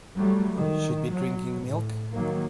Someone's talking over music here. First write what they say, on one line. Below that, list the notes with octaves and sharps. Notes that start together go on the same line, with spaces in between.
Should be drinking milk.
F#3 G3 A3
D#3
F#3
A2
D#3 F#3 A#3